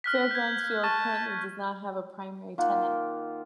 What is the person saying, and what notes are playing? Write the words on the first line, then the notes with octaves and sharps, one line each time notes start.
Fair Grounds Field currently does not have a primary tenant.
F6 F#6 B6
G6 G#6
A5 C#6
D#3 A#3 F4 F#5